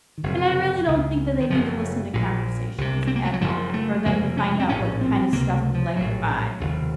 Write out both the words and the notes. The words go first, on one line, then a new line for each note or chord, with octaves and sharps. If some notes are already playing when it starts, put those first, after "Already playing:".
and I really don't think that they need to listen to conversations at all for them to find out what kind of stuff we like to buy, and
D#3
F#1 F2 C3
C#2 C#3
D#3
F#1 F#2 C#3 F3
A#1 A#2
C2 C3
C4
A#3
A3
F#3
F#1 F#2 C#3 F3
A3
F1 F2 C#3 A#3
C#4
C4
A#1 A2 C#4
C4
C#2 C3 A#3
F#3
A3
F3
A#1 A2 F#3
F1 D#2 C#3